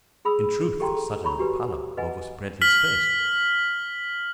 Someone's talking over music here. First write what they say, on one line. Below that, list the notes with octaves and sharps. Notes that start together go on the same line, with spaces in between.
In truth, a sudden pallor overspread his face.
G#4 B5 D#6 E6
G4 A4 G5 A#5 C6
A4
C#5 A#5 B5 C#6
D4 F#4 G4 B4
B4 D#5 F#5 G#5
F6 B6 F#7